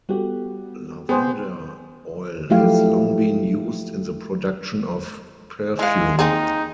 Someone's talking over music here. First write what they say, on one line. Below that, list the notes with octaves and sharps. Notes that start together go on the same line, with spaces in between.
Lavender oil has long been used in the production of perfume.
G3 B3 F#4 G4 A4
B3 G#4 C5 G5 D#6
F3 F#3 A3 E4 G4 F5
E3 G#3 F5
A#3 C4 D#4 G#4